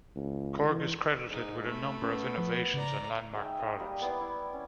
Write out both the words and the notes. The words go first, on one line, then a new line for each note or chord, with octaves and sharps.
Korg is credited with a number of innovations and landmark products.
C#2
E3
G#2 D#4
A3 B5
B3 C#4
F3
C#3 D5 A#5
G#3 D#4 E5 G5
D#5
G3 A#3 A#4
B3 E4 D5 C6
E4
C#4